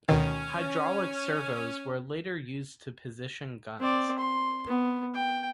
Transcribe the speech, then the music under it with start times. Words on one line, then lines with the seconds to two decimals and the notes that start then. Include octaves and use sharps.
Hydraulic servos were later used to position guns.
0.09 D2 B2 D#3 C#4
3.80 C4 D5
4.18 C6
4.67 B3
5.15 G5